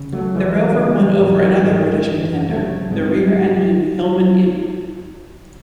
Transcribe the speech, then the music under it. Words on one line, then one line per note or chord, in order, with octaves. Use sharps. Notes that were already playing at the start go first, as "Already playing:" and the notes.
The Rover won over another British contender, the rear-engine Hillman Imp.
Already playing: C#3
F#3 A3
E2 E3 G#3
C#3
G#2 F#3
E3
D#3
E3
G#2 D#3
F#2 E3
C#3 F#3 A3
G#2 G#3 C4